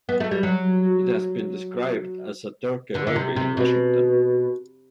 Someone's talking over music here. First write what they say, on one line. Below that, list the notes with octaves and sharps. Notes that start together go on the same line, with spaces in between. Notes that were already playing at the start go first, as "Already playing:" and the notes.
It has been described as "a 'Turkey lobby' in Washington".
B3
A3
G3
F#3
D3
D3
C3
C3
B2